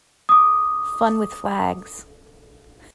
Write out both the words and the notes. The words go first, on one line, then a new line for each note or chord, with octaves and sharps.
Fun with flags.
D6 D#6